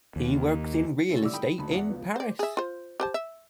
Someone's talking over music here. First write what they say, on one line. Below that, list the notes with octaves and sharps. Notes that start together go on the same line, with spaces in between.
He works in real estate in Paris.
D#2
G#3 A3 C#4 E4
D3 G3 E4 D6 E6
G5 B5 D#6
D2 A5 B5
E2 D5 F#5
C#2 F3 B3
C5 D5
G#4 E5
F4 C5
G4 C5 A5
E5